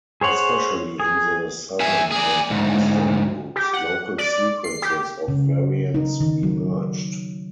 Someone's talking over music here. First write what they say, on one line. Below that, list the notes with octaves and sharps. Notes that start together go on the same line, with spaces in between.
Especially in the southern and eastern groups, local sequences of variants emerged.
G#4 C5 C#5 F#5
G#4
G#4 E5
G#4 D5
D2 G#2
G4
F#5
D5
C7
G4
C#3
D#4
D#3
F#3